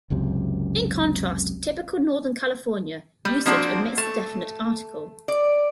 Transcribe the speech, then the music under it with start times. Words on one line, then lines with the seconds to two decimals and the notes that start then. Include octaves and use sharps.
In contrast, typical Northern California usage omits the definite article.
0.10 F#1 C#2 F#2 C3
3.25 G3
3.46 F3 A#3 C4 D4 F#4
3.98 A3
5.28 D5